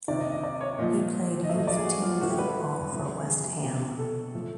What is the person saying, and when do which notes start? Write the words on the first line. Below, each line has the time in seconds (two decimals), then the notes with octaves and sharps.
He played youth team football for West Ham.
0.08 C3 D#3 D5
0.20 D#5
0.32 D#5
0.43 D5
0.61 C#5
0.78 A#2 F3 D#5
1.44 D#5
1.49 F3 E5
1.53 A2
1.59 D#5
1.67 D5
1.77 G#4
1.85 F#4
2.03 F4
2.21 A2 E3 F#4
2.30 G4
2.38 B4
2.48 A4
2.92 C3 F3
3.27 G#4
3.45 G4
3.63 B2 G4
3.80 G4
3.98 A4
4.34 A2 F3